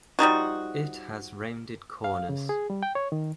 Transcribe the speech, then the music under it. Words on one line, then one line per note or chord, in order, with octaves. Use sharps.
It has rounded corners.
F3 G3 D#4 F#4
F5
C#3
G#4
G3
G5
C#5
D#3